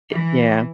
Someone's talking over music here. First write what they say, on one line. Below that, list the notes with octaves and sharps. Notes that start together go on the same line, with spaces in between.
Eh, yeah.
E3